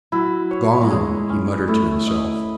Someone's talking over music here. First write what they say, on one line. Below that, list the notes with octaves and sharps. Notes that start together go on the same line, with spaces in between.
"Gone!" he muttered to himself.
F#3 E4
C#5
F#3
G#3 G#4
C#4
A3 E4
D#5